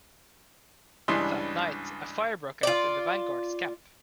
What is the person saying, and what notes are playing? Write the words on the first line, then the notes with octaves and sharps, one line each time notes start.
That night, a fire broke out in the vanguard's camp.
C#2 G2 E3 D4 D#5 C6
F4 D5